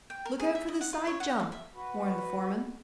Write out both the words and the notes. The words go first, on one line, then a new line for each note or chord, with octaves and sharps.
"Look out for the side jump!" warned the foreman.
G5
A#4
G#4
E5
D#5
F#5
F4
C#5
F#5
F5
E5
F#4 B4